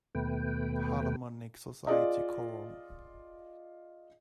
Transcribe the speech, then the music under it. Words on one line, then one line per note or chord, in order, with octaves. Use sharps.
Harmonic society choral.
D#2 B2 A3 B4 G5
F4 G#4 D5 D#5